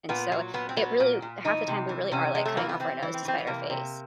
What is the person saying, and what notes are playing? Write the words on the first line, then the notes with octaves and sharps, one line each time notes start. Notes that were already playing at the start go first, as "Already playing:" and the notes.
and so it really half the time, we really are, like, cutting off our nose to spite our face.
A#2 B3
F#3
A#2 B3
C4
F#3 B3
A#2
A#2
E3 D#4
C3
E3
C3 C#4
C3 G#3
A3
E3 A#3
B3
E3 C4
E3
C4
E3 C4
B3
C3 A#3
C3